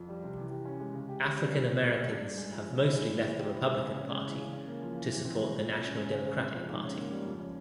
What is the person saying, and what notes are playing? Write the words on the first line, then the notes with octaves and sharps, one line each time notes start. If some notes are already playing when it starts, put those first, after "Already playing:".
African Americans have mostly left the Republican Party to support the national Democratic Party.
Already playing: F2
G3
C3
E3
G4
C#4
G#3
C#3
G4
C#4
G3
A#2
F4
A#3
G3
G2
G2
G#3
F3
C#3
E4
G#3
E3
A#2
G4
E4
G#3
C#3
C#4
G#3
E3
C#3
C#4
A#3
F3
E3
E3
C4
G#3
A#2
A#2
C#4
G#3
C#3
C#3
C4
F3
G#2
C#4
A#3
G3
F2
C#4